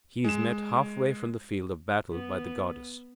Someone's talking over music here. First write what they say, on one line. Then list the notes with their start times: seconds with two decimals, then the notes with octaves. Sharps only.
He is met half-way from the field of battle by the goddess.
0.24 G#3 E7
2.11 B3